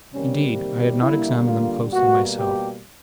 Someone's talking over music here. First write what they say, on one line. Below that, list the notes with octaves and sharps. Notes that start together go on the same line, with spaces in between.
Indeed, I had not examined them closely myself.
C3 D#3 G3 A#3 C#4
D3 G3 A#3 E4
F4
B2 G3 A#3 F#4
G4